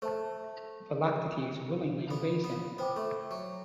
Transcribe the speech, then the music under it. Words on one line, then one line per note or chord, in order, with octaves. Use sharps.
Philoctetes willingly obeys him.
A3 C5 E5 A5
B3
B3
B3 C5 G5 D6
A3
F#3